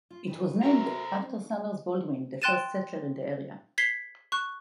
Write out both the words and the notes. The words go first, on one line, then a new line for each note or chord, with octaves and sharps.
It was named after Summers Baldwin, the first settler in the area.
F4
A#2 D#3 B4
F#4 A4 A#4 C5 E5 A#5
C4
G5 C6 F#6 A6 D#7 E7
G#6 B6 C7 G7
C#6 F#6